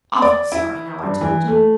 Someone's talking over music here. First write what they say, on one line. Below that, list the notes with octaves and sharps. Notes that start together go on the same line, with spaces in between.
Awful sorry now I told you.
D5
E4
G2
E3
A3